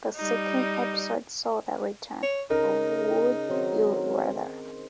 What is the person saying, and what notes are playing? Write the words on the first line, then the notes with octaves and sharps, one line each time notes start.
The second episode saw the return of Would You Rather?
G3 D#4
C#5
C#3 D#4 A#4
D#3 F#3 C4